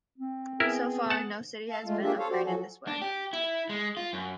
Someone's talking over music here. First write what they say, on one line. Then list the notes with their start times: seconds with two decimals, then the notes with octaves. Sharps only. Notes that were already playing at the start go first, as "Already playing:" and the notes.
So far no city has been upgraded this way.
0.18 C4
0.60 B3 E4 G#4 A#4
1.10 F#5 A5
1.71 A4 F5 A5
1.84 G#3 A3 F4
2.02 A#3 D4 F4 G4 G#4 E5
2.18 A4 C5 C#5 F5
2.30 F#4 G4 C5 D5
2.44 F3 F#3 F#4 G#4 A4
2.88 D4
3.02 G4
3.33 E4
3.69 G#3
3.97 F4
4.13 F#2